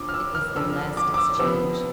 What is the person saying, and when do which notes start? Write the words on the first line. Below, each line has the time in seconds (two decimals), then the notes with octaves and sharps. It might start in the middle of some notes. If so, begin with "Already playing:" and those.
It was their last exchange.
Already playing: F2 D3 F3 D6
0.09 F6
0.14 E6
0.35 F6
0.56 F2 D3 F3 E6
0.97 D6
1.14 D6
1.18 E6
1.39 C3 F3 B3 E6